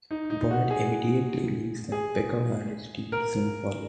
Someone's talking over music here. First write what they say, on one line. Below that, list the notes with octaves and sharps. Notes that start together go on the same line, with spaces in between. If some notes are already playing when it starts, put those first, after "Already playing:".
Boyd immediately leaves and Picker and his team soon follow.
D#4
D#4
F#4
G#4
G#4
A#4